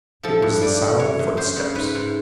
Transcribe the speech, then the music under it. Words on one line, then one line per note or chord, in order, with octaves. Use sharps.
It was the sound of footsteps!
F3 A4
G2
G2 D5
D3
E3 C#5
F#2
F#2 C5
C#3
G#2 B4
G#2